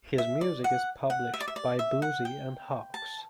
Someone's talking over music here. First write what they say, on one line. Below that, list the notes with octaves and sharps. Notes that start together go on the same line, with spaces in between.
His music is published by Boosey and Hawkes.
E5
D5
F#5
F#5
E5
D5
E5
D5
E5
F#5
G5
A5